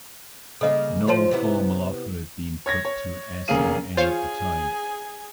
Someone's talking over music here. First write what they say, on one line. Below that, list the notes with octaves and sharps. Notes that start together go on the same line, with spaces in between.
No formal offer had been put to S and N at the time.
C#3 A#3 A4 D#5 F5
F3 F4 F#4 C5 C#5 A5
C3 B3 E4
C#5 G#6 A#6
C#5
F1 A#3 C#4 G#4 F5 D#7
F4 G#4 C5 C#5 F5 G#5